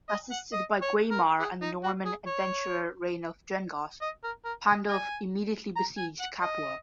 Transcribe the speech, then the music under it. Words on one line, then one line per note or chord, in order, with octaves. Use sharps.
Assisted by Guaimar and the Norman adventurer Rainulf Drengott, Pandulf immediately besieged Capua.
D#5
F#5
D#5
C#5
A#4
G#4
D#4
F#4
G#4
C#5
D#5
A#4
A#4
D#5
D#5 G#5
A#5
G#5
F#5
D#5